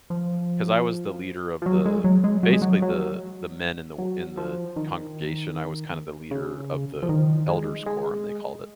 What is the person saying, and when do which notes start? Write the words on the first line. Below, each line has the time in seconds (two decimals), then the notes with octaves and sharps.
'cause I was the leader of the basically the the men in the w in the congregation, I was kind of the leader of the "elders quorum," they called it.
0.10 F3
1.62 F3
1.66 F#3
1.86 G#3
2.04 F#3
2.24 G#3
2.43 F#3
2.53 G#3
2.62 F#3
2.82 F#3
3.98 F#3
4.37 F3
4.76 D#3
6.31 C#3
7.03 F3
7.09 D#3
7.48 G#3
7.86 G#3